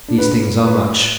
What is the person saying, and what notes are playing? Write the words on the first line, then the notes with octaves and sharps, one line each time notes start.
These things are much.
D4
B4
B4